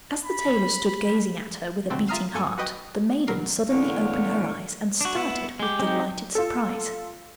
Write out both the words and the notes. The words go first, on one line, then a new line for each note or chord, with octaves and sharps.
As the tailor stood gazing at her with a beating heart, the maiden suddenly opened her eyes, and started with delighted surprise.
B5
B2 D3 F#3 A3 C4
F4 E5 A#5 D#6 F6 C7
F#2 A#3 A4 G#5 C#7
F#4 B4 D#5 G5
B2 F#3 A#4 F6 C7
E2 A2 D3 C#5 F5
D4 F#4
B3 E4
G#3 G4
C4 D#4
F4 A4